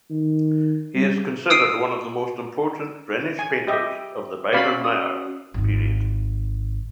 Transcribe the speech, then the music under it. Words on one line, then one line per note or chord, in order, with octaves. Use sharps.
He is considered one of the most important Rhenish painters of the Biedermeier period.
D#3
G3
D#6 E6 C7 D7 D#7
G#5
G4 D#5 E5
C#4 F#4 D5 F5 B5
D#6
G#1 G#2